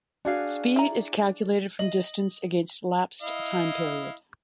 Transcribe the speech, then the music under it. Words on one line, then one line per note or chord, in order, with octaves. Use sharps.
Speed is calculated from distance against lapsed time period.
D4 F#4 G#4 F5
E4 A#5
D#5 F#7
E4 D#5 F5